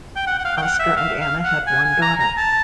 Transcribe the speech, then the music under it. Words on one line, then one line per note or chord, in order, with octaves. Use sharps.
Oscar and Anna had one daughter.
G5
F#5
F#5
F5
G5
F#5
E5
F5
F5
F#5
G#5
G#5
A#5
A#5
A5